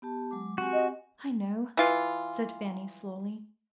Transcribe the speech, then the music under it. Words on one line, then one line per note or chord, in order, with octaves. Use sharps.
"I know," said Fanny slowly.
B3 G4 A5
F#3 G#3 D6
C4 F#4 G4 G#5
D#5
E3 F4